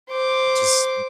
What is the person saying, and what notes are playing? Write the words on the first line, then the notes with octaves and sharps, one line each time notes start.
to s
C5 D6